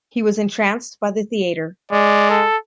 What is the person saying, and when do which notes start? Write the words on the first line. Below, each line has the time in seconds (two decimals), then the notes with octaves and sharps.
He was entranced by the theatre.
1.92 G#3 D5
2.30 A4